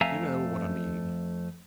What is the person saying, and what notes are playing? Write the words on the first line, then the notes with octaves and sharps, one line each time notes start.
You know what I mean.
F2 A3 E5 F5 G#5 A#5